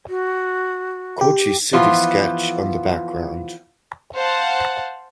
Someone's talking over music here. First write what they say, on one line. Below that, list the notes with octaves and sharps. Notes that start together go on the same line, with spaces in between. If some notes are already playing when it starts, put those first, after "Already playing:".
Kochi city sketch on the background.
F#4
G4
E3 F3 B3 F4
C5 F5 F#5 A5